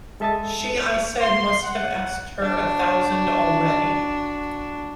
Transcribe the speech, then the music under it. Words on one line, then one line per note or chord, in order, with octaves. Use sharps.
She I said must have asked her a thousand already.
G#3 A4 E5 A5 D#6 A6
C6
F#5
D4 F#4